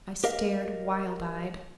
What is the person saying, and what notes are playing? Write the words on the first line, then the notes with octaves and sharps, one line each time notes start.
I stared, wild-eyed.
G4 A#4 D#5 F5